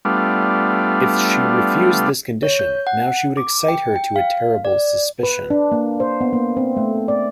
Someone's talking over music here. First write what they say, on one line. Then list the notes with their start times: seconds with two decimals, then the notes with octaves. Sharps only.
If she refused this condition now she would excite her to a terrible suspicion.
0.05 G3 A3 B3 D4 F4
2.43 C#5
2.59 G6
2.87 F#5
3.37 D6
3.68 G5
3.96 G5
4.16 F5
4.65 D5
5.23 B4
5.50 D4
5.72 A#3
6.00 C5
6.21 B3
6.33 A#3
6.57 C4
6.77 A3
7.08 D5